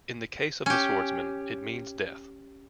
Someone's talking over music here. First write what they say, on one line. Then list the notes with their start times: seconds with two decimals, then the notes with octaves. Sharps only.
In the case of the swordsman, it means death.
0.66 C#4 G4